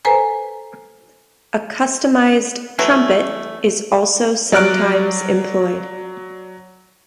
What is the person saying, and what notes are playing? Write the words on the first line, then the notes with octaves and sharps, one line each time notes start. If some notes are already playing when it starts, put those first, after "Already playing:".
A customised trumpet is also sometimes employed.
A4 B4 C5 G#5 A#5
E3 F#3 A3
F#3 D5 F6 F#6 D7